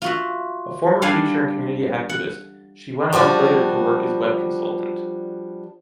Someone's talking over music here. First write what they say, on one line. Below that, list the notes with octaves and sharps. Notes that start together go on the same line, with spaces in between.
A former teacher and community activist, she went on later to work as web consultant.
F4 F#4 E5
G3 D4 F5 F#5 G#5
F#5
F3 G3 D4 F#4